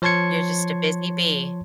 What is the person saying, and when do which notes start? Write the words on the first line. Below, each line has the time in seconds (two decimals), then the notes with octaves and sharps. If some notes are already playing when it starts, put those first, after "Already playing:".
You're just a busy bee.
0.02 F3 C#5 A5 C6 G#6 C#7